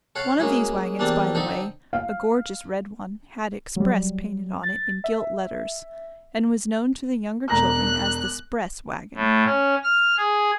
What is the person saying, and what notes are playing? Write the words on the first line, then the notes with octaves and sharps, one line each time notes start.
One of these wagons, by the way, a gorgeous red one, had "Express" painted on it in gilt letters, and was known to the younger children as the "'spress" wagon.
A4 C#5 F5 F#5
G#3 A#3 C#4 E4 F#4 G#4
E2 G3 A#3 C4 D4 A5
D3 C4 D#4 A4
F5
F#3 G3
A6
E5
E1 A#5 F#6 A#6
A2
C#4
F6
G#4